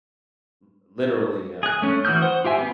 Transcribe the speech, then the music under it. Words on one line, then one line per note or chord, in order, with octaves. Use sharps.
um, literally, uh
G#4 F#6
A3 C#4
E3 F#4 D#6 F6 G6
C5 F#5
F4 G4 E5 G#5
B3 C4